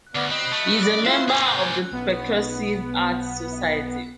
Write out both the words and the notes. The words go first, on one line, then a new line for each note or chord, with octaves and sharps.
He is a member of the Percussive Arts Society.
D2 B3 D5 F6
C4 D#5 B5
A3
D5
E4 F4 C5
A#3 G#4 C5 G#5 G6
B1 B3